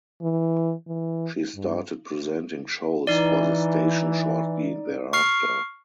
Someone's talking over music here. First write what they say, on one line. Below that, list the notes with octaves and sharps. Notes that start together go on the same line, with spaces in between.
She started presenting shows for the station shortly thereafter.
E3
E3
G2
E3 D#4 D5
C#6 F6 C7